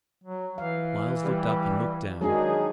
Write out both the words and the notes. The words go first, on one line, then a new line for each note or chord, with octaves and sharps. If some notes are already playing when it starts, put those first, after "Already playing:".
Myles looked up and looked down.
F#3
E3 F5
G3
D#3 F#3 G#3 D4 D#4 G#4